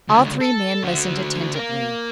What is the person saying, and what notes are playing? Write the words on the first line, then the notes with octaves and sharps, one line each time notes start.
All three men listened attentively.
C#2 D3
A4
D3 F#4
A#4 F5